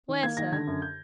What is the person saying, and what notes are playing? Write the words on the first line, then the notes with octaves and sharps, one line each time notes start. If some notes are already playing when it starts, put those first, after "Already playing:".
"Where, sir?"
D#3
A#3 G#6
D#3 A#6
D3 G#6
F#2
G6